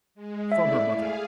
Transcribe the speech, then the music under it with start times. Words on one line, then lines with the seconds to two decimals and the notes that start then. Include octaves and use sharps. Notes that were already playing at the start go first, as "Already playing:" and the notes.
From her mother.
0.15 G#3
0.52 A3 E4 D5 E5
0.89 G#4 F5